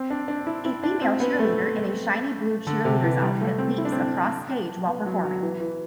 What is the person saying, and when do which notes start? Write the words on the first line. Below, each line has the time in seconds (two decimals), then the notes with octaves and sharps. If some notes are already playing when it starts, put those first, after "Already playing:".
A female cheerleader in a shiney blue cheerleaders outfit leaps across stage while performing.
Already playing: C4
0.10 D4
0.28 D4
0.47 E4
0.65 E4
0.83 D4
1.02 C4
1.20 B3
1.39 A3
2.67 D3
2.85 C3
3.03 E3
3.22 G3
3.41 A3
3.58 C4
3.78 E4
3.85 D4
3.92 C4
3.99 D4
4.87 B3
5.06 F#3
5.24 F#3
5.43 E3
5.60 E3